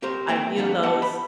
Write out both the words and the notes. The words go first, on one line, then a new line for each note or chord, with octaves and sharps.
I view those,
C4 G4 A#4 C5
D2 A#3 C4 C5 G5
F2 D3 A#3 B3 D4
B3 G4 D#5 F#5 A5
B5